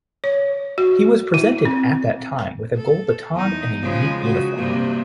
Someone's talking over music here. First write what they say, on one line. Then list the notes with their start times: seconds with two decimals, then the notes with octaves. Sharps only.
He was presented at that time with a gold baton and a unique uniform.
0.24 C#5
0.78 F#4
1.34 E4
1.65 C4
2.77 A4
3.35 E2 D#4
3.82 C#3 F3 G#3
4.23 C#3 F#4
4.55 G2 C3 A#3